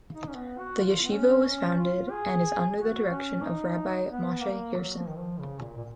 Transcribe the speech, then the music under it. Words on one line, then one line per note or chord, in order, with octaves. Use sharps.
The Yeshiva was founded and is under the direction of Rabbi Moshe Herson.
D#4
C#4
B3
F#4
F4
B3
C#4
C#4
F4
G#4
F#4
C#4
D#4
B3
A#3
F#3
F3
D#3
F3
C#3
A#2
A#2